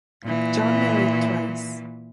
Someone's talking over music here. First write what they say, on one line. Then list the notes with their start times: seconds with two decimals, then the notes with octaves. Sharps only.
John married twice.
0.23 A#2 E3